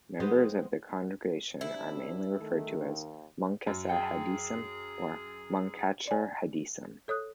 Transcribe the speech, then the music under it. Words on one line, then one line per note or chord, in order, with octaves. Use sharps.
Members of the congregation are mainly referred to as "Munkacs Hasidim" or "Munkatcher Hasidim".
G#3 B3 C4
C3 D4 E4
D#3 A3
D#2
F#2
G#4 G5 C#7
D5 G#5
A4 C#5 D#6 F#6